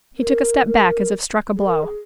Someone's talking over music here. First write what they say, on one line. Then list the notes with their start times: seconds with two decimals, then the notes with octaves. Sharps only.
He took a step back as if struck a blow.
0.17 A#4
0.66 A#4
1.56 G#4
1.65 A#4
1.82 G#4